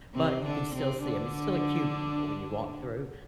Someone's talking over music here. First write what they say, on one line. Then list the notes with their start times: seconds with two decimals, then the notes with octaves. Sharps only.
but you can still see 'em- it's still a cubicle when you walk through-
0.15 C3 C4
0.45 D3 D4
0.74 C3 C4
1.04 D3 D4